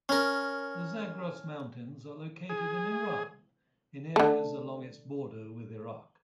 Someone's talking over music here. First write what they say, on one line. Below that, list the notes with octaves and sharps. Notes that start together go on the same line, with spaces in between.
The Zagros Mountains are located in Iran, in areas along its border with Iraq.
C#4 A#4
G#4
D3 A3